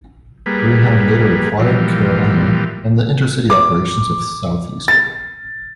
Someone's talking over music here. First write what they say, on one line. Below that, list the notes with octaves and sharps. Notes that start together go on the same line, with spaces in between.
Greyhound later acquired Carolina and the intercity operations of Southeastern.
G3 A#3 G#4 B4
A#2 E3 F3 G3
D6
A6